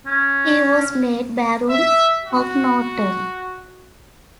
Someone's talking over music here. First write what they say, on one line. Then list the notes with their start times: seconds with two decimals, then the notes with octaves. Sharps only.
He was made Baron Hocknorton.
0.06 C#4
1.69 E5
2.24 F#4